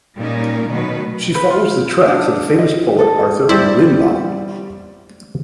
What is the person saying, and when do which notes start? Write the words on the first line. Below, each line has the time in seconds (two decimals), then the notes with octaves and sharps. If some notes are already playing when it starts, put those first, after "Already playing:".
She follows the tracks of the famous poet Arthur Rimbaud.
0.16 A#2 G3 G#3 C#4 D#4 A#4
0.70 B2 D#3 F#3 A3 B4
1.35 B4
1.51 F4
2.08 D4
2.59 D#5
2.99 A4
3.49 G3 E4 C5 D5 G5